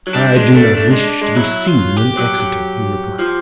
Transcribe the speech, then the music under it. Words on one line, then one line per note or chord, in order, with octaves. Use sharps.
"I do not wish to be seen in Exeter," he replied.
F#3
G3 D4
G#3
A3
A3
G#3
G#3
F#3 E4
F4
G4
F#3
F#3
F3